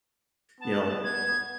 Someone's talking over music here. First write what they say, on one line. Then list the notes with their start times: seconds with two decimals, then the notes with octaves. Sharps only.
you know,
0.60 B3 A5
1.04 G#6